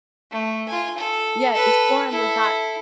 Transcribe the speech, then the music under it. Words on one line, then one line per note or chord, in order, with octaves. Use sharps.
Yeah, exploring was not
A3
F4 G#5
A4
A4 B4
E4 A4